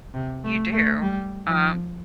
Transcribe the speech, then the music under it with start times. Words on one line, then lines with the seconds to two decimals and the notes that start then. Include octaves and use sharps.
You do, um
0.14 C3
0.44 A3
0.73 A3
1.02 G3
1.47 F3